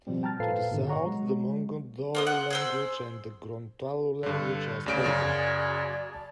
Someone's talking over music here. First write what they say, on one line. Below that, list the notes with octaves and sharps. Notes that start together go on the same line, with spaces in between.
To the south, the Mongondow language and the Gorontalo language are spoken.
B2 F3 G3 C4
G5 A5 A#5 F6 A6
A#2 A4 B4 C5 F5 C7
G#2 B2 D3 D#3
C#5 F#5 A#5 C#6
F#3 G#3
A#3 C5 D#6
F#5
G#4 C5 E6
G2 D3 A4
D2 C#3 F#4 G#4 D5 D7
F#2 C#3
A5